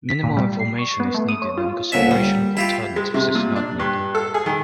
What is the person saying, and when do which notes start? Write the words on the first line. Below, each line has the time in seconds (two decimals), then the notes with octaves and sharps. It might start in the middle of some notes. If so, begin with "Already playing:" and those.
Minimal information is needed and consideration of alternatives is not needed.
0.09 B6
0.23 A#2
0.37 G3
0.59 C7
0.79 C#6
1.00 B3
1.15 A3
1.28 D#6
1.42 C#5
1.58 F4
1.92 D2 A#2 C#4 E5
2.11 G3
2.57 E4 F4 G4
2.96 G#3
3.14 C3
3.35 A#2
3.56 D4
3.79 G2
4.15 A4
4.34 G#4
4.46 D#3